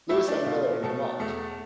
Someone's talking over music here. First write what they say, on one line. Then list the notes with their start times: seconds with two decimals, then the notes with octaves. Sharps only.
Louis N. Miller in command.
0.09 A3 E4 E5
0.28 D4 D5
0.46 B2 F4
0.83 B2 A3 A4
1.20 E2 A3 A4